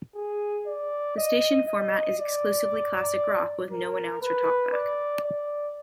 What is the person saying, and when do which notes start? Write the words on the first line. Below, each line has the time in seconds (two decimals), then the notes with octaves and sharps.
The station format is exclusively classic rock, with no announcer talkback.
0.16 G#4
0.67 D5
1.17 D#5
1.68 D#5
2.19 D5
3.72 A#4
4.22 B4
4.73 D5
5.23 D5